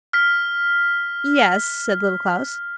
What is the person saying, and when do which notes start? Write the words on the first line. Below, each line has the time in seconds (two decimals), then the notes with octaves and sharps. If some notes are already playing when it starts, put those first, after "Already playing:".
'Yes,' said Little Klaus.
0.13 F6 B6